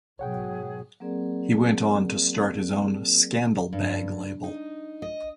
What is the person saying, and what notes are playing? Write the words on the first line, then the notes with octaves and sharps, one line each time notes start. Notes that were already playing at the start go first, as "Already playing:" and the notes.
He went on to start his own Scandal Bag label.
G#2 B2 F#3 G#4 C#5 F#5 G5
F#3 A#3 C4 G#4 A#4 D5
G2
D#4
D#5